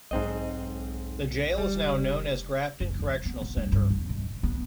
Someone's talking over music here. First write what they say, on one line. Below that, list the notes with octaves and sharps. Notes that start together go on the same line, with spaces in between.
The jail is now known as Grafton Correctional Centre.
B1 G#2 C4 D#5
F1 G3
F#1
F2
B3
G#2
G2
G2
E2
G#2
B3